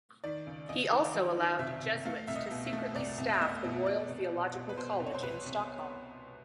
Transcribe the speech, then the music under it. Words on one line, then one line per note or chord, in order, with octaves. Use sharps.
He also allowed Jesuits to secretly staff the Royal Theological College in Stockholm.
D#3 D5
C#2
C#2 D#5
D#3
F#3
D#3
C3 E5
C3
A3 F5
C2 E5
D#5
B2
E5
A3
C2 D5
C2
E5
A3 D#5
B2
B2 D5
C2
B2
B2
B4
B2 C5
C2
C#5
C5
C2 B4
C2